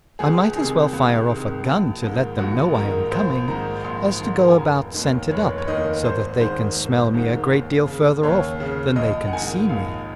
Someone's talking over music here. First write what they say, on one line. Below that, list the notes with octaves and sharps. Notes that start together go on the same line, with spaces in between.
I might as well fire off a gun to let them know I am coming, as to go about scented up so that they can smell me a great deal farther off than they can see me.
C#2 G#4
C3 D#3 G#4
C#2
C3 D#3
A#1
G#2 D#3
A#1 F#4
G#2 D#3 A#4
A#1 C5
G#2 D#3 A#5
A#1 C6
G#2 D#3 C6
G#5
F1 A#5
D#2 D#3
F1 C#5
C#5
D#2 D#3 D#5
G#1 C5
G#2 D#3 C5
G#1
G#2 D#3
D#2
C#3
D#2 C#5
C#3
A#1 D#5
F#5
G#2 D#3 G#5
A#1 F5